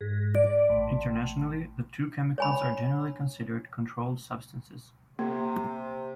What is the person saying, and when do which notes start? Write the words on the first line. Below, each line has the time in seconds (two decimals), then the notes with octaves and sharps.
Internationally, the two chemicals are generally considered controlled substances.
0.01 G#2
0.35 D5
0.69 A1
2.38 C#5 G#5 B5
5.19 C3 A#3